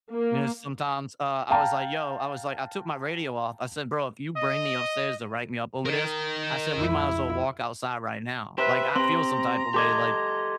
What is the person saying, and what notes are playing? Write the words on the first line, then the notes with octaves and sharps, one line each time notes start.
And then sometimes, uh, I was like, "Yo" I was like, "I took my radio off," I said, "Bro, if you bring me upstairs to write me up over this," I said, "We might as well walk outside right now, like, I feel some type of way, like"
A#3
F5 G5 A5 A#5
D#5
A#4 D#5
F2 E4
G4 B4 C5 E5
C4 G4 A#5 C6
G4 A4 D#5 C6 D6 G#6